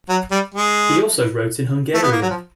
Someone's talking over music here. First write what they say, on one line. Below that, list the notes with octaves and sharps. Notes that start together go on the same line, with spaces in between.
He also wrote in Hungarian.
F#3
G3
G#3
A3
B3
A#3
F#3
F3